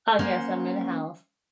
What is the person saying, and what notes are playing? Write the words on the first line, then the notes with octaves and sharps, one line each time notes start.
Uh, yes, I'm in a house.
A#3 C#4 C5 F#5